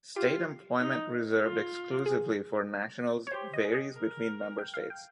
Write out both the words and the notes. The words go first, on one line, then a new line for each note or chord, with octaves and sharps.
State employment reserved exclusively for nationals varies between member states.
F4 G4
D#4
F4
G#4
C#5
G4 C5
D#5
G#4
D#5
A#4
G5
F5
G5